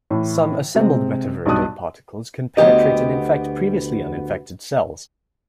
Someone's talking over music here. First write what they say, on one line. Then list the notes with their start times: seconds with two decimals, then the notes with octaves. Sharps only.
Some assembled Metaviridae particles can penetrate and infect previously uninfected cells.
0.10 A2 E3
0.75 C3 G#3 C4
1.46 B1 G2 G3 A5 D#6 F#6
2.57 D2 G2 B3 G4 D#5